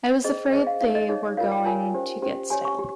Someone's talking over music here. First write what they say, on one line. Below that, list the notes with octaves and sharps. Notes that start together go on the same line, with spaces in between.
I was afraid they were going to get stale.
C#4 G#4 C5 D#5
C#4 G#4 C5 D#5
F5
D#4 G#4 C#5 F5
D#5
D#4 G#4 C#5
F4 A#4 C#5 F5
G5
F4 A#4 C#5 G#5
C#4 G4 C5
C#4 G4 C5
G4 C#5 G#5
C#6
G4